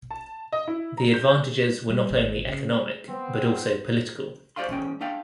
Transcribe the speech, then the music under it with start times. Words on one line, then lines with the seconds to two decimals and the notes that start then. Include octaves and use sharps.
The advantages were not only economic, but also political.
0.11 A5
0.52 D#5
0.68 E4
0.98 A#5
1.14 G6
1.90 G3
2.11 G#1
2.49 C#3
3.09 B3 C4
4.56 F#4 C5 D5 E5 F5 C6
4.68 E2 G#2 C#4 G5
5.01 D4 E5 F5 G5